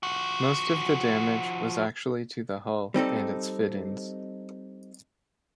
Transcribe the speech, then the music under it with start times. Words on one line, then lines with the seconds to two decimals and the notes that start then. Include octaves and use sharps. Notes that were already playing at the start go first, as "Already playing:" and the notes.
Most of the damage was actually to the hull and its fittings.
0.03 F3 F#4
2.94 G3 C4 D#4 A4